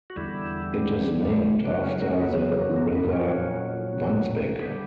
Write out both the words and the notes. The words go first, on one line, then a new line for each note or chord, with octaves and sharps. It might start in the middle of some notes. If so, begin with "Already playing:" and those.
It is named after the River Wansbeck.
F#4
E2 D3 G3 E4
F#2 C#3 F#3 D4
C#4
A#3
C#4
B3
A#3
A#3
B3
A#2 F#3 C#4
D3 G3 B3